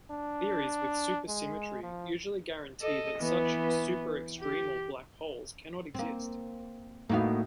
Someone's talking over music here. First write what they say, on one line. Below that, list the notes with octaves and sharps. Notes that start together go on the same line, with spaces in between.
Theories with supersymmetry usually guarantee that such "superextremal" black holes cannot exist.
D4
G#3
F3
A4 D#5
E3 B3
G4
A#3 C4
A2 A#3 B3 D#4 F#4 F5